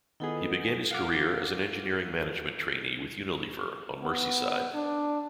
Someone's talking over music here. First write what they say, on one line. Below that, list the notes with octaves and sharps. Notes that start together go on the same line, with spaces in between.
He began his career as an Engineering Management Trainee with Unilever on Merseyside.
D#3 B3 E4 F4 G#4 A4
F5 F#5 D6
B3
D4